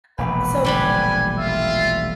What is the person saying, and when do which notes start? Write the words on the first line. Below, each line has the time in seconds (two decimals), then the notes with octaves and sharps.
Uh so,
0.18 E1 A#1 B4
0.64 D3 G3 G#5 B5
1.37 F4 E5